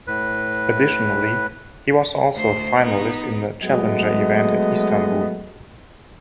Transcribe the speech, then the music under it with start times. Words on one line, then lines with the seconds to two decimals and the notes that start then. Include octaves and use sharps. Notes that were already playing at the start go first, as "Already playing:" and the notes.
Additionally, he was also a finalist in a challenger event at Istanbul.
0.07 A2 B4
2.35 D2 C5
2.83 B3 D#4
3.61 F#3 G#3 A3 B3 D#5